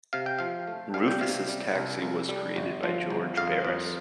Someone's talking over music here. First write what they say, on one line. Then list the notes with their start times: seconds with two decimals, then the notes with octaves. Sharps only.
Rufus' taxi was created by George Barris.
0.13 C3 F5
0.26 G5
0.39 F3 F5
0.67 A3
0.94 G3 F5
1.08 G5
1.21 C3 F5
1.48 G3
1.75 C2
2.02 C2
2.29 G3
2.56 G1
2.83 F3
3.10 G1
3.37 F2 F5
3.65 F2